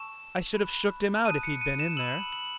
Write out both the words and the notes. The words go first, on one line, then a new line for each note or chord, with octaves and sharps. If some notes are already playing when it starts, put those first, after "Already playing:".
"I should have shooked him out, if he'd been in there!"
Already playing: A5 C#6 E6 E7
B5 F#6
A5 D#6 F#6 D#7
C#7
D#7
E7
B5 E6 F#7
F#7